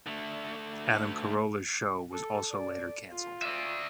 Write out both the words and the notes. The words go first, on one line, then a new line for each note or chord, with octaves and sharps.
Adam Carolla's show was also later canceled.
D3 A3
A4
D5
F4
D5 E5